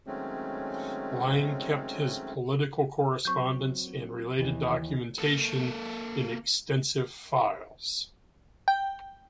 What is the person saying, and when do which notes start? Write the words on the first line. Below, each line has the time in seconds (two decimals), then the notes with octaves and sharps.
Lang kept his political correspondence and related documentation in extensive "files".
0.07 D#3 F#3 G#3 A3 C4 C#4
3.25 F#3 C4 C#6 G6
4.39 D#2 D#3 E3
5.18 A#3 A4
8.68 G5